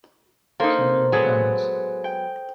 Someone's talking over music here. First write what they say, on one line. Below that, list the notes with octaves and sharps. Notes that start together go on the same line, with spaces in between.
Show me your hands!
A#3 D#4 A4 A#4 C5
F#3 G#3 B3 G#4 A4
G5